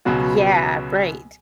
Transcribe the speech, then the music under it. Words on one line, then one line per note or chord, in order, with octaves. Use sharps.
Yeah, right.
C#2 B2 F#3 B3 F#4